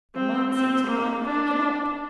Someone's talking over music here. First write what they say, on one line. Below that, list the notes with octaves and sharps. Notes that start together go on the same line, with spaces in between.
'The man seems quite broken up.
C4
C4
A#3
D4